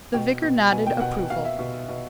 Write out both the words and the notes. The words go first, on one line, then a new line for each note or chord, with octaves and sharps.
The vicar nodded approval.
B2 G5
B2
B2 G#5
G5
B2 F#5
B2 F5
E5
B2
B2